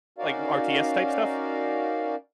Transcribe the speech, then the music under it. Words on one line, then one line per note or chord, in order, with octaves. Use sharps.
like, RTS type stuff?
C#4 D#4 F#4 A#4 D5 F5